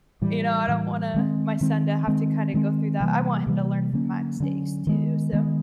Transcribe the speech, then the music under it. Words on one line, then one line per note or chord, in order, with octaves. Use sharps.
you know, I don't wanna my son to have to kind of go through that. I want him to learn from my mistakes too, so
A2 E3 G3
A2 E3 G3
D#3 G#3 C4
D#3 G#3 C4
D#3 G#3 C4
D#3 G#3 C4
C3 E3 G3 A#3
C3 E3 G3 A#3
D3 F#3 A#3 C#4
D3 F#3 A#3 C#4
D#3 G#3 B3
D#3 G#3 B3